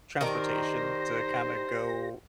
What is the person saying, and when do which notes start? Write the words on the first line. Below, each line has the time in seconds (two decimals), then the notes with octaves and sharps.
transportation to kinda go
0.21 D#3 D4 G4 A#4 C5 A#6